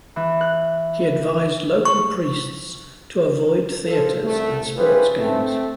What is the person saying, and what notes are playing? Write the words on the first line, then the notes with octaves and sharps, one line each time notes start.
He advised local priests to avoid theaters and sports games.
E3
F#6
C#6
F3 A4
C2 A3
G3 C#4 E4 F4 G#4 B4
A3 C4